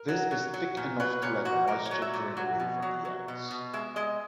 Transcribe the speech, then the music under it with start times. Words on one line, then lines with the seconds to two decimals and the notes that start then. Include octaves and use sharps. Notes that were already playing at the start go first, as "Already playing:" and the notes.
This is thick enough to let moisture drain away from the eggs.
Already playing: A#4
0.08 F#3
0.31 F#3
0.54 F#3
0.77 A#2
1.00 F#3 B4
1.22 A#2 C#5
1.45 A#2 F#4
1.67 A#2 A#4
1.86 C#5
1.91 F#3
2.02 E5
2.14 A#2
2.37 F#3 F#5
2.60 B2
2.82 F#3
3.05 F#3
3.28 B2
3.51 B2
3.73 G#3 E5
3.96 G#3 D#5